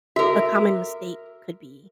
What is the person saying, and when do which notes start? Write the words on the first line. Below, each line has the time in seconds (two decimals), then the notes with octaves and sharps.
a common mistake could be
0.16 F#4 A4 A#4 E5